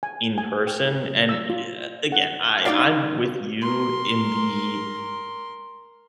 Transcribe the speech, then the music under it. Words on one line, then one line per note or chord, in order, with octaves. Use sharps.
in person, and i uh, again, I I'm with you in the
G#5
G#5
G5
E6
F4
F#5
D#4 F4 D5 F5
A#4 C6